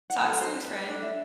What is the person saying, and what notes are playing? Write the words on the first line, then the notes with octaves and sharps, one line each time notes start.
Talk soon, friend.
F#5
F#4 A4 F#5
C5
B4
B4
D4 A4 D5
E5